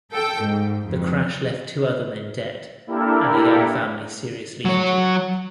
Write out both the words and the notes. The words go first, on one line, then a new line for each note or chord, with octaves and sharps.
The crash left two other men dead and a young family seriously injured.
A4 G5
G#2
F2
A#3 D4 E4 G4 A4 A#4
F#3 C#5